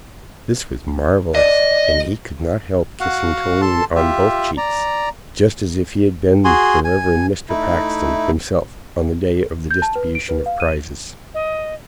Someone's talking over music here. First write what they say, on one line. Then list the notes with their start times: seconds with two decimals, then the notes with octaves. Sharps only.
This was marvelous, and he could not help kissing Toline on both cheeks, just as if he had been the Reverend Mr. Paxton himself, on the day of the distribution of prizes.
1.35 D5 D#5
3.01 F#4 F5 F#5
3.62 A4 A5 C6
3.96 F4 G4 E5
4.57 D5 A#5
6.45 F#4 G#4 G#5 C6
6.85 G#5
7.49 A3 D#4 E4
9.71 G6
9.82 A5
9.95 B4
10.15 D7
10.29 B4
10.46 F5
10.60 D#7
11.34 D#5